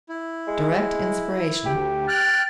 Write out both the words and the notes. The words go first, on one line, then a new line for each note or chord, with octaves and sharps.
"Direct inspiration."
E4
G#3
D2 G4
G5 F6 F#6 A6